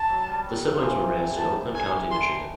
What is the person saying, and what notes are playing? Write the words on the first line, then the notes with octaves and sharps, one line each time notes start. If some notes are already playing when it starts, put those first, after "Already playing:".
The siblings were raised in Oakland County, Michigan.
Already playing: A5
F#3
G3
F#3
F3
E3
C3
D3
D#3 A5
D3
D#3
D3 G#5
E3
C6
D3
D#3